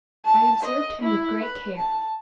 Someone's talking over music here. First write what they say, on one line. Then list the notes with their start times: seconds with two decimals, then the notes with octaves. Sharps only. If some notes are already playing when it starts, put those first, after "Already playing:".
I observed him with great care.
0.25 A5
0.63 D#5
1.02 E4
1.44 B4
1.77 A5